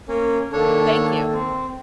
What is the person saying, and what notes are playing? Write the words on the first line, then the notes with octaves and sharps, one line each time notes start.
Thank you.
A#3 C#4
D#3 A#3 D4 A4 C#5
C4